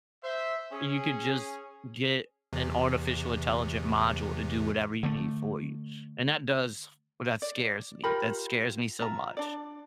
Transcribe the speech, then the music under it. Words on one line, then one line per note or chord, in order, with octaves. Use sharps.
you could just get an artificial intelligent module to do whatever you need for you? And that does well, that scares me. That scares me so much.
C5 E5
C#4 G#4
E2 C3 E3
D3 A3
D5
F4 G4 A#4 B5
F4 E5 A#5
D4 D5